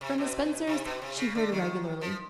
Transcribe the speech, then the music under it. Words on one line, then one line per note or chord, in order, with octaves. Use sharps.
From the Spencers she heard irregularly.
C3
B2
C3
B2
C3
C#3
D3
D#3
F3